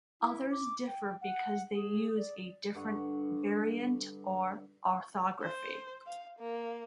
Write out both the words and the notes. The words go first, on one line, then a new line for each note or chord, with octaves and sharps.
Others differ because they use a different variant or orthography.
E4
D6
G5
F#5
G#4
D5
G2 D3 F#5 C#6
C5
F5
A#3